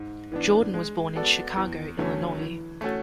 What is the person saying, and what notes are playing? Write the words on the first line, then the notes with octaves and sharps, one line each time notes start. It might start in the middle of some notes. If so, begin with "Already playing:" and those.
Jordan was born in Chicago, Illinois.
Already playing: G#2
E3 B3 D4
G#3
B3 F#4 A4 D5
E2
D3 F#3 A3 C#4
E3
A3 C#4 F#4 A4